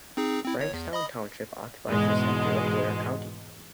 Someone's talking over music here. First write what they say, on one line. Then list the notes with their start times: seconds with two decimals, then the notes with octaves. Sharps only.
Frankstown Township occupies the center of Blair County.
0.17 C4 D#4 G#4
0.44 C4 E4
0.59 G1 C#5
0.74 E2
0.93 D#5 B5 D#6
1.86 E2 G#2 B2 G#3